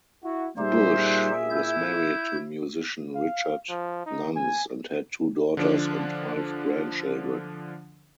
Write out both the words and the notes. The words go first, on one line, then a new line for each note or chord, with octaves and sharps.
Bush was married to musician Richard Nunns and had two daughters and five grandchildren.
E4 F#4
A#2 G3 D#4 G4 G#4 C5 E5
E4 G6
F5
F3
D#4
G#5
D3 F3 D4